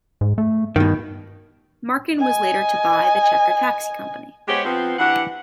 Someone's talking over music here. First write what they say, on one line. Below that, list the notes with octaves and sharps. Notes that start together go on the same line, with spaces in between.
Markin was later to buy the Checker Taxi Company.
G#2
A3
G2 B2 D#3
D#5 G#5
G#3 B3 G4 G#4 C5 C#5
F3 B3 C4
E3 D4 G4 F#5